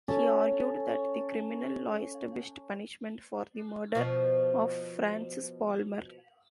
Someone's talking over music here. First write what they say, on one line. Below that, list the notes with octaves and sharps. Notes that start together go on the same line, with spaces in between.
He argued that the criminal law established punishment for the murder of Francis Palmer.
C#4 A4
B2 F3